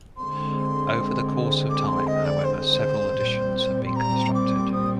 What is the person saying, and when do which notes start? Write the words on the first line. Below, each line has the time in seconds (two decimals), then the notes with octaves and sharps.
Over the course of time, however, several additions have been constructed.
0.17 D3 G#3 C4 C6
1.69 D6
1.87 C6
2.07 D#5
2.25 D5
2.44 C5
3.20 A#2 G3 C4
3.86 C6
3.96 A#5
4.34 D6
4.72 D#6